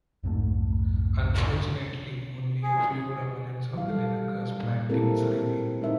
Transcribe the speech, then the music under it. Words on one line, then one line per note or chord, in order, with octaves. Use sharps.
Unfortunately, only a few remnants of the Linaker's plantings remain.
B1 F2 G#2 A3
G#4
E3 F#3 F5
G3 A4
A#2
G#3 C4 E4 G4 A4 A#4
G#3 D#4 A#4 C5 E5